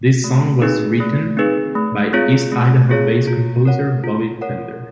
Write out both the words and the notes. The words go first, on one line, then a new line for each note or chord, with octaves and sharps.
This song was written by east Idaho based composer Bobby Fender.
A3
C4 D#4 G#4 B4
A3
C4 D#4 G#4 B4
A3
C4 F4 G#4 C#5
A3
C4 F4 G#4 C#5
F4
A#4 C#5 F#5
F4
A#4 C#5 F#5